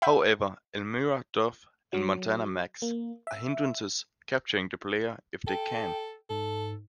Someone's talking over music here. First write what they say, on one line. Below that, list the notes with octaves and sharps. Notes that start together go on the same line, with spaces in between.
However, Elmyra Duff and Montana Max are hindrances, capturing the player if they can.
E5 F#5 B5 E6 G6 B6
F#3
A#3
E5
A4 G5
G#2 A4